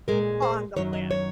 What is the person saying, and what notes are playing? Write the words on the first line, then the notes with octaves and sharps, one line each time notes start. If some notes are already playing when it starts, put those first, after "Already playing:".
on the planet.
A#2 G#3 A#4
C5
F#2 D#3 F#3 C#5
D#5
C#5